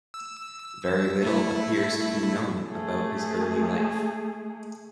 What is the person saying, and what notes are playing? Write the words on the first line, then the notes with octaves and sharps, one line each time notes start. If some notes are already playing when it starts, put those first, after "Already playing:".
Very little appears to be known about his early life.
E6
A3 E4
A3 G#4